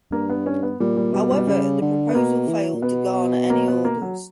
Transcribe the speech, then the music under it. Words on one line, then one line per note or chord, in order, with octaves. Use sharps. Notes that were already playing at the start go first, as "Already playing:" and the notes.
However, the proposal failed to garner any orders.
G2 A#3
B3
C#4
B3
A#2 G3
G3
B2 G3
G3
B2
C#3 G3
D3
B3
B2 A#3
E3
A#2
B2 B3
A#3
B3
A#3
F#3